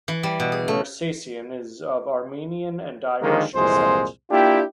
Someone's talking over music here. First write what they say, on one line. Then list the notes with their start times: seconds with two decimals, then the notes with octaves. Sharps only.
Nersesian is of Armenian and Irish descent.
0.08 E3
0.23 G3
0.40 B2
0.52 G#4
0.68 A3
3.22 D3 D#3 F3 G#3 A#3
3.55 C2 F2 A#2 E3 G#3 C5
4.30 A#3 D4 E4 F4 G4